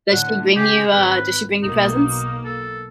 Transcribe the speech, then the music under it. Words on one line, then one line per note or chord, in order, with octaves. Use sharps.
Does she bring you, uh, does she bring you presents?
A2 D3 F#5
C#3 G4 G#4
G#1 B4
B1 A#3 D#4
A4